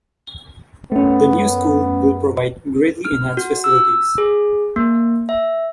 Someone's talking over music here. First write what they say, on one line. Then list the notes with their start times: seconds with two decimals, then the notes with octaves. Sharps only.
The new school will provide greatly enhanced facilities.
0.92 F#2 A3 B3 C#4
3.05 F6
3.37 F#4
3.64 E6
4.18 G#4
4.76 A#3
5.29 E5